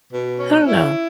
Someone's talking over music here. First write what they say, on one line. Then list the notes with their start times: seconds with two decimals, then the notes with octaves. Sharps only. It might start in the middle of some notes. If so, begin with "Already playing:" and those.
I don't know.
0.11 B2
0.39 C#4
0.67 E4